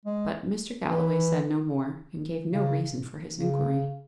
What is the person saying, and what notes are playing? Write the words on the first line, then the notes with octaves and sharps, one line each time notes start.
But Mr. Galloway said no more, and gave no reason for his inquiry.
G#3
E3
C#3
C#3